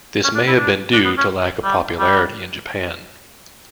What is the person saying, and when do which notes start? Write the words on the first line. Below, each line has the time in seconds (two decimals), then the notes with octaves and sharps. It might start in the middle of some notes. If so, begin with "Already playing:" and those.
This may have been due to lack of popularity in Japan.
0.24 C#4
0.35 D4
0.47 E4
0.58 D4
0.93 D4
1.05 B3
1.18 C#4
1.64 G3
1.99 G3